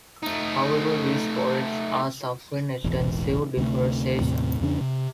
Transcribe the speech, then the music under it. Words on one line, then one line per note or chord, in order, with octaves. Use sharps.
However, these forests are suffering extensive deforestation.
A3 D#4
E1 A1
D2 C3 G#3 A3
D#2 A2 C3
E2 C#3 D4
C3